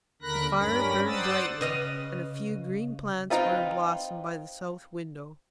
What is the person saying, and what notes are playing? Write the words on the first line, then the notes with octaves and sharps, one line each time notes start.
The fire burned brightly, and a few green plants were in blossom by the south window.
D#2 D3 A#4 B5 F#6 A#6
G2 G3 C#4 A#4 B5 A#6
C5 D5 F#5 D#6 E6 A6
C#3 B4 D#5 F6
C4 D#4 F4 B4